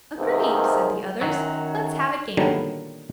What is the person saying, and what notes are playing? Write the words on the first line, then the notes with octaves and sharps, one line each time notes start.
"Agreed!" said the others, "let's have a game."
E2 C3 D#3 F3 G#3
F#2 B2 D#3 F#3
A#2 D3 D#3 F#3 G3 B3